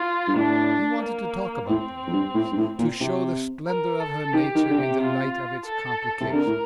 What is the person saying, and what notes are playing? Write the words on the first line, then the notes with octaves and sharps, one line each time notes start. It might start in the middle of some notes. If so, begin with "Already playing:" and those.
He wanted to talk about the business, to show the splendour of her nature in the light of its complications.
Already playing: F4
G2
A2 D4
A#3
A2 C4
F2
G2
A2
G2
A2
A#2
C3
A#4
A4
D#3 G4
D#3
D3
C3
F4
A4
C3
D3 A#4
A2